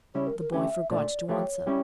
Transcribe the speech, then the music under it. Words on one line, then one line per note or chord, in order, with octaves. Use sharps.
The boy forgot to answer.
C#3 G3 C#4 E4 C#5
A#4
A#4
D3 A3 C#4 G4 E5
A#2 A3 D4 D5
E3 A3 E4 G4 C#5
G3 C#4 E4 G4